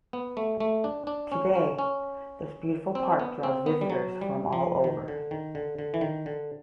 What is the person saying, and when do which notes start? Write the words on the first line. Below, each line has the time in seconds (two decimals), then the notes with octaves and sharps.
Today, this beautiful park draws visitors from all over.
0.13 B3
0.37 A3
0.60 A3
0.84 D4
1.07 D4
1.32 C#4
1.55 C#4
1.79 C#4
2.95 C4
3.20 B3
3.43 C4
3.66 B3
3.81 G3
3.90 F#3
4.21 G3
4.53 F3
4.84 D#3
5.08 D3
5.31 D#3
5.55 D3
5.78 D3
5.94 E3
6.01 D#3
6.26 D3